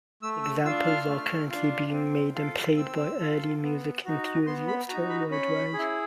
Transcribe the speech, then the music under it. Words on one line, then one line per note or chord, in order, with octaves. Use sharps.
Examples are currently being made and played by early music enthusiasts worldwide.
A3 E6
E6
D4 F4 E6
F6
A3
D4 F4
C4
F4 A4
C4 E6
F4 A4
B3
D#4 F#4
B3 C6
B5
D#4 F#4 A#5
B5
C#4 B5
E4 G#4